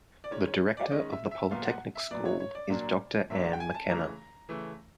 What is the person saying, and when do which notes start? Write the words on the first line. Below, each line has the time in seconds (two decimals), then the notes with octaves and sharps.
The director of the Polytechnic School is Doctor Ann McKenna.
0.24 D5
0.31 D#3 G#3 C#4 C#5
0.47 C#5
0.77 D5
0.91 D#3 G#3 C#4 D#5
1.12 E5
1.31 E5
1.51 A#2 F#3 B3 F5
1.65 F#5
1.95 E5
2.11 A#2 F#3 B3 D5
2.25 C#5
2.40 C#5
2.55 D5
2.70 A#2 F#3 A#3 D4
3.30 A#2 F#3 A#3 D4 E5
3.45 F#5
3.53 G5
3.60 G#5
3.74 A5
3.89 C#3 E3 A3 A#5
4.49 C#3 E3 A3